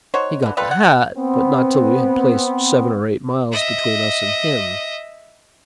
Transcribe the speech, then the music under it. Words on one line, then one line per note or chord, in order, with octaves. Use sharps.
He got the hat, but not till we had placed seven or eight miles between us and him.
D#4 F#4 C5 C#5
D3 E3
G3 F4 A4 B4
F#5
B3 C4
D#5 E5